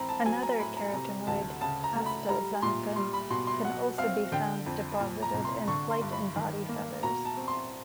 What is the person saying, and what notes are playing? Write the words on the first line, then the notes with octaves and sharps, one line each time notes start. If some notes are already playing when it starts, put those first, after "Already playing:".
Another carotenoid, astaxanthin, can also be found deposited in flight and body feathers.
Already playing: E3 C4 A#5 B5
A5
F#3 G#5
A#5
A2 B5
A#5
C3 A#5
D2 A5
C#3 A5
A#5
A3
B5
G3 A#5
A#2 C6
G3 C6
B5
B2 C6
C6
F#3 F#5
C4 F5
D3 G5
F2
A#2
A#5
C2
C6
D3 C#6
C6
G2
B5
D#3
A#3
B2 A#5
A5
C4
C6